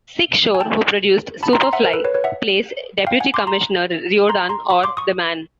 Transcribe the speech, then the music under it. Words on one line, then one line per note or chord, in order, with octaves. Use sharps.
Sig Shore, who produced "Super Fly", plays Deputy Commissioner Riordan, or "The Man".
G#5
G5 A5
A5 B5
A#5 C6
A#5 C6
E5 F#5
A#4 C5
A4 B4
B4 C#5
B4 C#5
E5 F#5
F5 G5
F#5 G#5
C6 D6
A#5 C6
A#5 C6
A#5 C6
B5 C#6
C6 D6
C#6 D#6